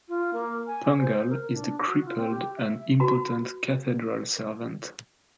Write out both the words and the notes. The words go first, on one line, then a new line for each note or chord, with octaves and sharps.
Pangall is the crippled and impotent cathedral servant.
F4
A#3
G#5
C5
A#4
D4
F#4
F4
C4
G4
E5
F#4 B4 A#5 B5